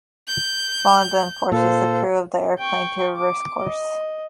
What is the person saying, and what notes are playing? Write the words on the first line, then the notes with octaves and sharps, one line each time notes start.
Bond then forces the crew of the airplane to reverse course.
G6
A#2 A4 C5 F5
G5 C#6
D6
D#5